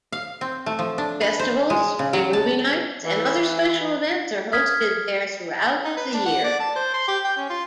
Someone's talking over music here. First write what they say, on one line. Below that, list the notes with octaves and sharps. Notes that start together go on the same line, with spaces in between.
Festivals, free movie nights and other special events are hosted there throughout the year.
F5
C4
A3
F3
D4
B4
C5
G#3
C#3
F#3
A5
E3
D#6 F6 G#6 B6
D#4
B4
D4
F#5
D5
A5
C5
C6
G4
G5
C#4
F4